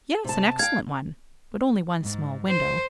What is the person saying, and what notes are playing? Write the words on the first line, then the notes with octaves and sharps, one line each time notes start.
"Yes; an excellent one; but only one small window."
C3 A5
F5 G5 G#6
G#2
C5